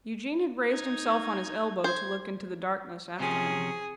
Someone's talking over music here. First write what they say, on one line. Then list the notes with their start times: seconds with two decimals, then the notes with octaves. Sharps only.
Eugene had raised himself on his elbow to look into the darkness after him.
0.70 D#4 G#6
1.84 C5 G#6
3.20 C3 F3 C#4 G#4